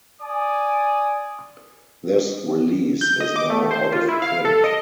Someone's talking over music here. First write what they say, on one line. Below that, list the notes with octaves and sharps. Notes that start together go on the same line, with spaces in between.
This release is now out of print.
D5 G#5 D#6
G6
D#5
D6
A3
C5
F4
E4
F5
A4
D#5